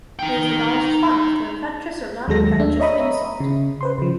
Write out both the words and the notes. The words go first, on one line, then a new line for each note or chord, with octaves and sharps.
It is the body's response to an infectious or noninfectious insult.
D#4 G5
D#2 F#3 G#3 A4 A#6
A3 D4 E5
C#5 D#5 E5 A#5 B5 D#6
C#3
B4 C5 C6
C#3 F3